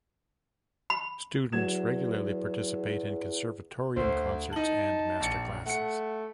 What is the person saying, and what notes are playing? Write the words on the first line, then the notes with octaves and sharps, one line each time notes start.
Students regularly participate in Conservatorium concerts and master classes.
B5
E2 F#3 G#6 E7
D2 C5
D#4 A5 F#7
A#1 C#7
A3 F#5 C#7